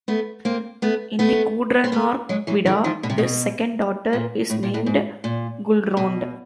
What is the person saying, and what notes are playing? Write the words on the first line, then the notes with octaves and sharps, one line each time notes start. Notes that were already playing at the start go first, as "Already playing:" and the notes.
In the Gudrunarkvida, this second daughter is named Gullrond.
A3 B3
A#3 C4
A3 B3
A3 B3
C4
A3 B3
F#3 G#3
E3 F#3
D3 E3
D#3 F3
B2
C3
B2
A#2
A2
A#2
A2
G#2
A#2
B2